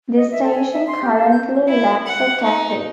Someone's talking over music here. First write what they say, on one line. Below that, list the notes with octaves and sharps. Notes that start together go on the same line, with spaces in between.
The station currently lacks a cafe.
D#5
E5
A4
G#5
E5
C6
G4
A4
G6
E4
F#5
D#4